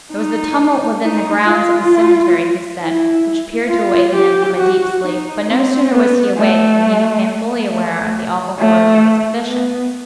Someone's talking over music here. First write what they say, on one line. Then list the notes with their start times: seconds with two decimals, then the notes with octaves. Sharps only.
It was the tumult within the grounds of the cemetery, he said, which appeared to awaken him from a deep sleep, but no sooner was he awake than he became fully aware of the awful horrors of his position.
0.13 D#4
1.03 D#4
1.47 F4
2.81 E4
3.69 F4
4.14 G4
4.58 F#4
5.02 D#4
5.47 C4
5.92 B3
6.36 A3
7.70 A3
8.59 A3
9.48 B3